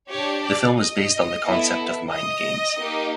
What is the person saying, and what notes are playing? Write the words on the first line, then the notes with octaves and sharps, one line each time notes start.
The film is based on the concept of mind games.
D4 G4 C#5
D5
D#5
B3 E4 A4
D#5
A#3 D#4 G4